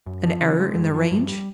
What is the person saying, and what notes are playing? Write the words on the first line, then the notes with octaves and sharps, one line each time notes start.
An error in the range?
F#2
F3
C#3
G#3
F#2
F3
G2
G3